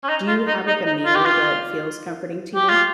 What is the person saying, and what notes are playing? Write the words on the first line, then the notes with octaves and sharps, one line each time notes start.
do you have, like, a meal that feels comforting to you?
C#4
D#4
F4
D#4
D#4
D#4
F4
G4
F4
G4
F4